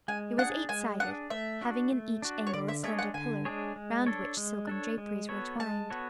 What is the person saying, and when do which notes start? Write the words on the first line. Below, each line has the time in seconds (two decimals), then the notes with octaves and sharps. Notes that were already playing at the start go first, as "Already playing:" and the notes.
It was eight-sided, having in each angle a slender pillar, round which silken draperies were twined.
0.08 G#3 G#5
0.38 D4 G#4 F#5
0.69 G#3 G#5
1.00 D4 G#4 F#5
1.30 A3 E5
1.61 D4 F#4
1.92 A3
2.22 D4 F#4
2.47 C#5
2.53 D3 D5
2.68 E5
2.84 G#3 D4 G#4 C#5 E5
2.99 F#5
3.14 D3 G#5
3.45 G#3 D4 G#4 C#5
3.76 G#3
4.06 D4 A4 C#5
4.37 G#3
4.67 D4 A4 C#5
4.98 G#3
5.29 B3 F#4 A4 C#5
5.59 G#3 A5
5.90 B3 F#4 A4 C#5